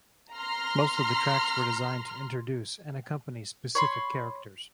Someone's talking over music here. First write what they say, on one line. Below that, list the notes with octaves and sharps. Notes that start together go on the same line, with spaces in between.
Most of the tracks were designed to introduce and accompany specific characters.
A#5 C6 F6
C#5 B5 C6